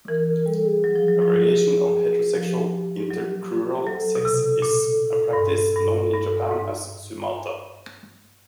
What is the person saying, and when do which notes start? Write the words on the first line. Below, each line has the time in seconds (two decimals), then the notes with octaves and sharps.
A variation of heterosexual intercrural sex is a practice known in Japan as sumata.
0.08 E3 A#4
0.27 A#4
0.46 G3 A4
0.66 G#4
0.84 F#3
0.96 F3
1.08 F#3
1.22 F3
2.35 F3 G4
3.11 F#3
3.86 F#3 A4
4.15 B2
4.25 C3
4.62 A#2
5.33 G2
5.38 G#2
5.76 G2
6.14 G2
6.51 G#2